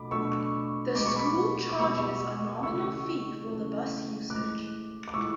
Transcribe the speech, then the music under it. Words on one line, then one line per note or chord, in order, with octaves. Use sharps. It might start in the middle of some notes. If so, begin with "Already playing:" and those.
The school charges a nominal fee for the bus usage.
Already playing: B2 A3 D4 B5 D6
B2 A3 D4 C#6 E6
B2 G#3 B3 D6
C#6
B5 D6
D6
B2 G#3 B3 C#6 E6
C#3 E3 A3 C#4 C#6 E6
C#3 E3 A3 C#4
A2 E3 G#3 D6 F#6
D6
A2 E3 G#3 C#6 E6